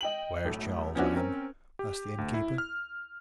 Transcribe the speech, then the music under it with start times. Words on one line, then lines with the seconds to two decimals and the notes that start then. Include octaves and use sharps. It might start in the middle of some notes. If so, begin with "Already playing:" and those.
"Where is Charles, Ann?" asked the innkeeper.
0.01 D#5 G5 F#7
0.45 B1 A2 A3
0.95 F3 B3 C#4 D4 E4 F#4
1.16 C4 C#4 A#4
1.79 G4
2.18 D2
2.34 E4
2.58 F6